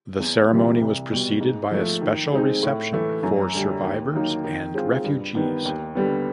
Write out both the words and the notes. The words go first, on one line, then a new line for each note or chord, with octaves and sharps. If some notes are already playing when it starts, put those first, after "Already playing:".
The ceremony was preceded by a special reception for survivors and refugees.
E2
C3 E3 G3 A#3
C2
B2 G3
G#2
F3 A3
D#3
G#3 C4 D#4
A2
E3 A3
F#2
D3 G3
D#2
D#3 F#3 A#3 D#4
D#3
G#3 C4 F4
G2
D#3 G3 B3
D#2
D3 G3 B3